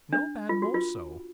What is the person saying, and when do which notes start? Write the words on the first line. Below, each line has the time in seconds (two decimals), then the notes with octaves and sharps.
"No man more so."
0.13 D4
0.49 F4
0.62 F#4
0.74 F4